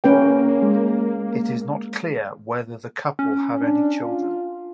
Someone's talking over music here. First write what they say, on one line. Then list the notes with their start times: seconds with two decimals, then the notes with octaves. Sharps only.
It is not clear whether the couple have any children.
0.04 A#3 C#4 B4 G5
0.62 G#3
3.19 C#4
3.61 D4
4.02 F4